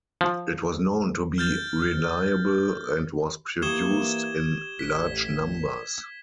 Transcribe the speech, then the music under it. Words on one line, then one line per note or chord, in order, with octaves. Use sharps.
It was known to be reliable and was produced in "large numbers".
F3
F6 G6 A6
E3 A#3 G4 C#6 D#6 G#6 E7 G7
A1 B6